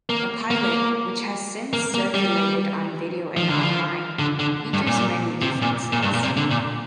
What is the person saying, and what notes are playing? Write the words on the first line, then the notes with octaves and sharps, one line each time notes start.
The pilot, which has since circulated on video and online, features many differences.
A#3
A#3
A#3
A#3
G3
F3
D3
F3
D3
D3
G2
A#2
C3
A#2
A#2
G2
A#2
C3
D3
A#2